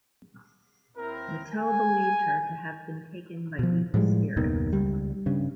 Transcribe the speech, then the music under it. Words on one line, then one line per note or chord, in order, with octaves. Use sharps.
Meteau believed her to have been taken by evil spirits.
D#2 C4 E4 A#4
G#5
B2 F3
A2 F3 G3 G#3
F#1 D#2 B2 D#3
C#2 G3
G2 C#3